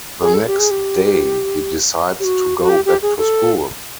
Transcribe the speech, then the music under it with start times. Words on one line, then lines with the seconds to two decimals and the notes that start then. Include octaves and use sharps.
The next day he decides to go back to school.
0.22 G#4
0.34 A4
0.46 G4
0.58 G#4
0.71 G4
2.20 G4
2.24 F#4
2.61 F#4
2.69 G4
2.85 G4
3.02 G#4
3.18 A4